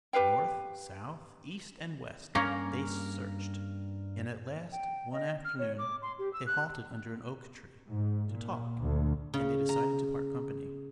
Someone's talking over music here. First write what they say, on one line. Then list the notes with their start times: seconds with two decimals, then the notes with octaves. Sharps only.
North, south, east, and west, they searched; and at last, one afternoon, they halted under an oak tree, to talk, and they decided to part company.
0.13 G4 B4 F5 G5
2.35 G2 A#3 C#4 A#4
4.72 G5
5.12 D#5
5.45 F6
5.59 C#5
5.78 D6
6.02 C6
6.19 G4
6.33 E6
6.46 F#6
7.90 G#2
8.31 A#2
8.83 D2
9.34 C#3
9.69 A#5